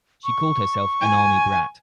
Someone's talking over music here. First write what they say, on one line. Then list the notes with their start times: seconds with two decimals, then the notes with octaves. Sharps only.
She called herself an "army brat".
0.24 C#6
1.01 G#5